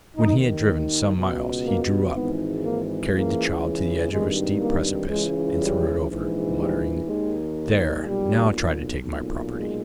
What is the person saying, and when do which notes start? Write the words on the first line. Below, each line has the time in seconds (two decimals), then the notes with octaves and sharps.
When he had driven some miles he drew up, carried the child to the edge of a steep precipice and threw it over, muttering, 'There, now try to take my property!'
0.17 D#2 D#3 D#4
1.15 C#2 B2
1.64 A#3
2.13 G#1 G#2 E3 B3
2.63 A#3
3.12 C#2 C#3 E3 A#3
4.11 G#1 G2 D#3 G#3
4.60 A#3
5.08 C#2 C#3 E3 G#3
5.58 G3
6.07 A#1 G#2 E3
6.56 G3
7.05 D#2 D#3 G#3
8.04 B1 A#2 G3
9.02 B1 A#2
9.51 G#3